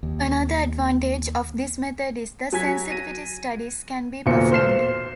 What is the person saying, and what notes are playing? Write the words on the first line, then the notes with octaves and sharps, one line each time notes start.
Another advantage of this method is that sensitivity studies can be performed.
D#2
F#3 G#5 G#6 B6
A#6 D#7
D1 B1 E2 A#2 C5 C#7
C5 F6 C7 E7